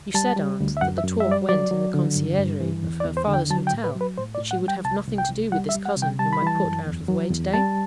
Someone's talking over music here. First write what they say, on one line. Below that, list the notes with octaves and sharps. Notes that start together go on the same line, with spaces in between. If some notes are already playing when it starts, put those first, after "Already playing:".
You said, aunt, that the talk went in the conciergerie of her father's hotel, that she would have nothing to do with this cousin whom I put out of the way to-day?'
Already playing: D2
G3 A5
G3
D2
E5
F#2 F#5
E5
F#2
E5
G3
D5
F#3 D5
F#3
D3
G2
G2
E3
E2
D5
E2
C5
D3
G5
F#3 A5
G5
A2
B4
F#3
B4
A2 C5
D5
A2
F#5
G3
G5
C2 A5
C2
G5
C2
G3 F#5
E5
G3
F#5
C3
G5
G3 A5
B5
E3 A5
F#2
E2
F#3
E2
G3 A5